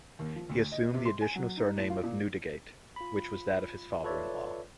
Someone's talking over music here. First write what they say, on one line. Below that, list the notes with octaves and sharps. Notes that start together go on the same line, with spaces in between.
He assumed the additional surname of Newdegate, which was that of his father-in-law.
D#2
F3
D2
D#5
C3
C6
G#5
F#3
D#4
A2
F4
A#2
F4 B5
F4 A4 B4 C#5 D5 E5